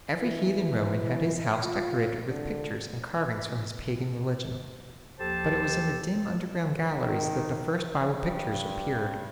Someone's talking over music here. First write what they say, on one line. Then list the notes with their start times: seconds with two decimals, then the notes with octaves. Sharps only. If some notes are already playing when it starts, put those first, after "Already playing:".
Every heathen Roman had his house decorated with pictures and carvings from his pagan religion, but it was in the dim underground galleries that the first Bible pictures appeared.
0.15 E3
1.64 F4
2.29 D3
5.19 D#2 F3 G4 A4 C5 A5
6.91 D#3
8.17 G2